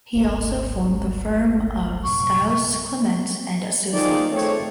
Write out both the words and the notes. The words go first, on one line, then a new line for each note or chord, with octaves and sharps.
He also formed the firm of Stiles Clements and Associates.
D1 G#1 G#2
A#1 F#2 C3 C#6
D#3 F3 D#4 G#4 D5
A3 C4 C#5